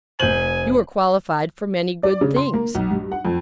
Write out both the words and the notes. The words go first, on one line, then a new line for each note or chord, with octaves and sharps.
You are qualified for many good things.
F1 C5 G#5 G6 F#7
D5
C#3
C6
A#3
B1
G2
F#5
F2